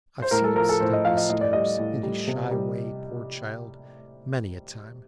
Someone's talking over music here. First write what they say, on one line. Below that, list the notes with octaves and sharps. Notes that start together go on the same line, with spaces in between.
I've seen him sit on these stairs, in his shy way, poor child, many a time.
C5
A2 A#4
A4
F3 A#4
A4
A2 C5
D#5
F3 F5
D#5
A2 D#5
D5
G3 D#5
A2
G3
C3
G3